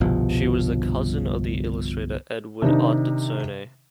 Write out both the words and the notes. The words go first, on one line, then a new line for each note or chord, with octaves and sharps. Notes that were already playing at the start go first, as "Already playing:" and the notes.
She was the cousin of the illustrator Edward Ardizzone.
G1 C2 B2 F3
C3 D#3 D4 D#4